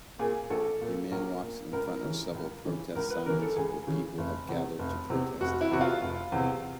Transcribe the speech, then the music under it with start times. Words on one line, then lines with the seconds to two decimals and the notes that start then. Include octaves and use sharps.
A man walks in front of several protest signs where people have gathered to protest.
0.19 A#2 G#4
0.50 A#1 A4
0.81 A#2
1.11 A#1 A#4
1.42 A#2
1.73 C#2 A#4
2.03 C#3 E3
2.34 C#2
2.65 C#3 E3
2.95 C#2 A#4
3.10 B4
3.26 C#3 E3 A#4
3.42 A4
3.56 C#2 G#4
3.87 C#3 E3
4.18 F1
4.49 E2 C3
4.79 F1
5.10 E2 C3
5.40 F1 F#4
5.61 E4
5.71 E2 C3 F#4
5.81 F4
6.02 F1
6.32 E2 C3